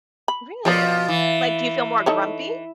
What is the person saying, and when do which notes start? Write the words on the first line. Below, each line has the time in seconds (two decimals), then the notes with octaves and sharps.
Really? Like, do you feel more grumpy?
0.28 B5
0.65 B2 F3 A#4 C#5 D5
1.08 E3
2.06 D#4 A4 C#5